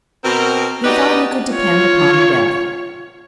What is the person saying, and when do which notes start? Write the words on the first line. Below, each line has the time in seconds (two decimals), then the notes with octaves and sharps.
He thought he could depend upon Beth.
0.23 B2 C4 A#4
0.84 D#4 F#4 G4 B4 D5 D#5
1.52 F4 C#5